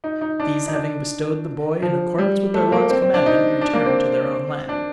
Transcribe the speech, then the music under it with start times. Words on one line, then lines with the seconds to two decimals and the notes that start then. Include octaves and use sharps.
These having bestowed the boy in accordance with their lord's commandment, returned to their own land.
0.04 D#4
0.21 D#4
0.40 D4
0.67 D#4
0.75 D4
1.82 F3
2.18 G3
2.54 A3
2.72 A#3
2.90 C4
3.02 C4
3.14 D4
3.26 D#4
3.61 D4
3.73 A#3
3.86 C4
4.69 D4